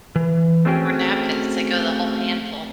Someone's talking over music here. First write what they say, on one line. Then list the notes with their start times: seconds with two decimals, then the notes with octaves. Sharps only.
Or napkins, they go the whole handful.
0.16 E3
0.65 A3 C4 C#4 F#4 G#4 G5